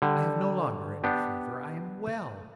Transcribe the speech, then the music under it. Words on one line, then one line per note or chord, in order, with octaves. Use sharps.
I have no longer any fever; I am well.
D3 G3
B3 D4 G4